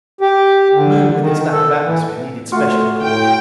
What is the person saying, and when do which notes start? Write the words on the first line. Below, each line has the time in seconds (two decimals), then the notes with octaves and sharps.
The Moon, with its lack of atmosphere, needed special equipment.
0.21 G4
0.73 D3
1.20 D#3
1.52 A4
1.84 E3
2.52 A3 F4 F#4
3.01 A2 G5